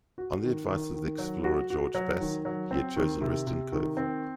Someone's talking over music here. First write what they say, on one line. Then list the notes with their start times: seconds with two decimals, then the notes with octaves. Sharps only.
On the advice of the explorer George Bass he had chosen Risdon Cove.
0.18 F#4
0.44 D#3
0.68 D#3
0.94 D#3
1.18 F#3
1.44 F#4
1.70 F#4
1.94 F#3
2.21 D#3
2.45 F#3
2.71 C4
2.96 D#3
3.21 C3
3.47 C3
3.72 D#3
3.97 C4